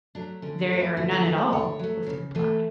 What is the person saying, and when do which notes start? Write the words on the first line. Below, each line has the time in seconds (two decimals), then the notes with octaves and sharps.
"There are none at all," was the reply.
0.15 F#3 A3 D4
0.42 D3 C#4
0.61 D4
0.70 F#3 A3
0.80 E4
0.97 D3 F#4
1.11 G#4
1.25 F#3 A4
1.28 A3
1.38 C#5
1.52 D3 C#5
1.79 F#3 A3
2.06 C#3
2.35 E3 A3